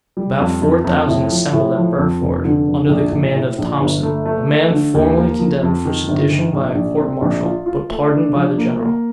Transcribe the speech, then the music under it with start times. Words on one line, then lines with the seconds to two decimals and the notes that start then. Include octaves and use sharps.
About four thousand assembled at Burford, under the command of Thomson, a man formerly condemned for sedition by a court martial, but pardoned by the general.
0.17 G3
0.40 F2
0.62 F2
0.84 F2
1.07 A2
1.31 F3
1.53 A2
1.76 F3
1.98 F2
2.21 F1
2.45 D3
2.67 F1
2.89 A#1
3.12 A#1
3.35 A2
3.58 A#1
3.81 G1
4.02 A3
4.26 A3
4.48 A3
4.71 D3
4.94 D#2
5.17 A#3
5.39 F3
5.63 F2
5.85 D#3
6.08 G1
6.31 D#3
6.53 A#1
6.75 A#1
6.99 C4
7.22 A#1
7.44 F4
7.66 F4
7.90 A3
8.12 D4
8.35 F3
8.58 A#3
8.80 A#3